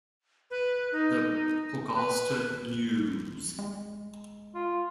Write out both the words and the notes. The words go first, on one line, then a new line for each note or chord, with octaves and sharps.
"The Pogosta News".
B4
D#4
B4
G#3
F4